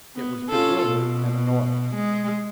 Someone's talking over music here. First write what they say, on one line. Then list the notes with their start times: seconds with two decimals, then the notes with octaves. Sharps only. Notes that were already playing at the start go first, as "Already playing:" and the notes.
It was bewildered and annoyed.
0.15 B3
0.50 C#4 F4 A4
0.86 B2
1.94 G#3